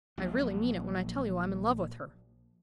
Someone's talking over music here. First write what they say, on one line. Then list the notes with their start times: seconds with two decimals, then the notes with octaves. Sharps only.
"I really mean it when I tell you I'm in love with her."
0.18 A#1 F#3